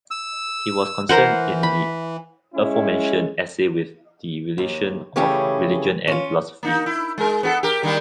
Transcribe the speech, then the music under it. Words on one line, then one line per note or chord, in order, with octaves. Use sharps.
He was concerned in the aforementioned essay with the relation of religion and philosophy.
E6
E3 A#4 C5 F#5
B5
G#3 C#4 E4
D#2
C#3 E3 A3 C#4 G4 G#4
C#4 F4
A#3 D#4
E4
G#3 A#4
B3 F#4 A4
G4 A#4
D#3 G3 A#3